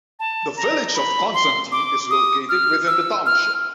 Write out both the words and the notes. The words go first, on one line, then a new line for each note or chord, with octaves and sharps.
The village of Constantine is located within the township.
A5
A#5
B5
C6
D6
D#6
F6
E6
F6